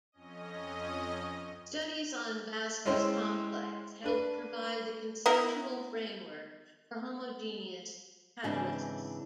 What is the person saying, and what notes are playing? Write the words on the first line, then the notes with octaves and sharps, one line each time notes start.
Studies on Vaska's complex helped provide the conceptual framework for homogeneous catalysis.
F2 C#4 D#5
G#3 C#4 E4 C5 G5
D4 B4
B3 E4 A#4
G#2 C#3 E3 C4 D4